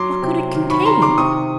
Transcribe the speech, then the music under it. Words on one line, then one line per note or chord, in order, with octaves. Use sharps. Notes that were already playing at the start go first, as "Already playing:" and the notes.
What could it contain?
Already playing: F#3 C6 D6
C3
D#3
B5 C#6
D#3 A#5 C6
C6 D6
C3 C#6 D#6